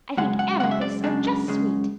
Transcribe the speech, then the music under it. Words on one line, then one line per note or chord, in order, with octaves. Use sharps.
I think amethysts are just sweet.
F#2 C#3 G#3 F#5
F#5
F#2 C#3 G#3 F#5
E5
D5
F#2 C#3 G#3 D4
F#2 C#3 G#3